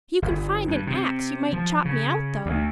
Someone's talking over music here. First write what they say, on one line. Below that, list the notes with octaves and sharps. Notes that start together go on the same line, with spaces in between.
If you can find an axe you might chop me out, though.
G1
G2
C3
F3
C#3
D2